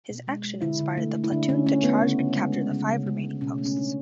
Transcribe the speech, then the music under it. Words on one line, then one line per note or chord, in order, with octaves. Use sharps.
His action inspired the platoon to charge and capture the five remaining posts.
B2
G#3
G#3
D3 E4
D3
A3
A3
E4
D3 D4
D3 C#4
A3 C#4
A3 B3
C#3
C#3
G#3
G#3
C#3
C#3
G#3
G#3
B2 C#4
A3
C#4
B2 D4